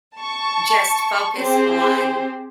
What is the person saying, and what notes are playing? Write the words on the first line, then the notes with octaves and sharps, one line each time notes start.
just focus on
A5 C#6
C4 G4 G#4 C5